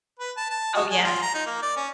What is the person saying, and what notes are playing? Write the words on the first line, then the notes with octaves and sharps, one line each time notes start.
Oh, yes.
B4
A5
A5
F#4
G#4
F4
A#5
D#4
A#3
D5
C#4